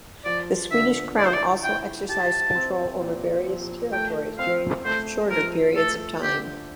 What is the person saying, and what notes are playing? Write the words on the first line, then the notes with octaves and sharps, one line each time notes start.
The Swedish Crown also exercised control over various territories during shorter periods of time.
F3 D5
D3 E5
E4 D5
C5
D5
E4 G5
G4 A5
C4
A#2
F3
A3 G5
C4 F5
A3 C5
F3 A#4
A3 A4
D3 G4